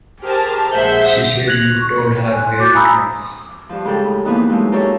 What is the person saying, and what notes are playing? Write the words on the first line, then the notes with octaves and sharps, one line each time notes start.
She said you told her where it was.
G4 G#4 A#4 C5 A5 F6
A#1 G#3 C5 E5 F#5 G6
F#6 G#6 A#6 F7 F#7
C#6
G#5 F#6
F#4 D6 F#6 G6 A6
F5 G#5 A#5 B5 D#6 E6
G2 F3
G#2 C#3 G4 A4 G5
A2
A#2 E3 F3 A#3 B3 D#4
F3 F#3 G#3 A3 C#4
F4 G4 A4 A#4 C#5 E5